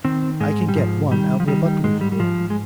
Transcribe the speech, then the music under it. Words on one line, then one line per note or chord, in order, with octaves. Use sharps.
I can get one out of the butler's room.
D#3 C4
G#2 G#3
G3
G#2 F3
D#3 G3
F3
D#3 G3
G3
G#2 G#3
G3
G3
G#2 F3
G#3